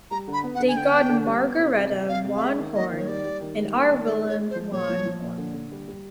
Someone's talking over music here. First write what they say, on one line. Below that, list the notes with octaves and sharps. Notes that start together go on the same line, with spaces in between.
They got Margaretha van Horne and our Willem van Horne.
G3 A#5
D3
B5
B3
F#5
D3
G#5
D3 G5
B3
D3
G3
B3
C3
C3
C3
C3 F5
C3
F5
G#3 E5
D#3
A#3 D#5
D#3
C#5
G3 D5
G3
D#3
G3
A#3
D#3
G#3 D5
G#3
C#5
G#3
C5
F3
A#2 C#5
F3
F3
A#2
D3
D3
G3
G3